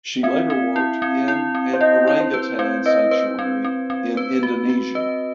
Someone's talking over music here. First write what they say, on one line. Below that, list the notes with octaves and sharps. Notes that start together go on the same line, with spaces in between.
She later worked in an orangutan sanctuary in Indonesia.
C4 E5
C4
E4
C4
E4
C4
C5
E4 D#5
E4
C5
B4
C4 C5
B4 D#5
B4 C5
C4
C4
C4
B4
F#4
F#4
B4 D#5